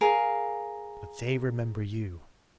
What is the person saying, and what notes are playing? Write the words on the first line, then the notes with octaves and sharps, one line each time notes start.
But they remember you!
G#4 A#4 F5